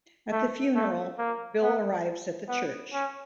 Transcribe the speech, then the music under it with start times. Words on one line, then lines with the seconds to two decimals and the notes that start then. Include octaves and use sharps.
At the funeral, Bill arrives at the church.
0.32 A3
0.75 A3
1.19 A#3
1.62 B3
2.49 B3
2.93 C#4